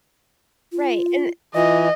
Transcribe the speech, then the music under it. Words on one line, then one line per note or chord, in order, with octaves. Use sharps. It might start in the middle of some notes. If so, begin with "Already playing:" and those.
Right, and
F4
E3 F4 D#5